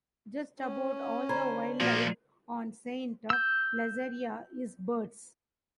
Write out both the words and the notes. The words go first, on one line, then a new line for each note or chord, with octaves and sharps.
Just about all the wildlife on Saint Lazaria is birds.
C#4
D3 C5 A#5 B5 G#6
A#2 F3 A#3 F#4
E6 G6